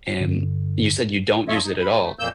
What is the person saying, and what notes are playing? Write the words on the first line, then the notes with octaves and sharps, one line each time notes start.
And you said you don't use it at all.
G2 D3
F2 F4 A4 C#5 D#5 E5
D#4
B5
A3
F2 A#2 A#3 E6 G6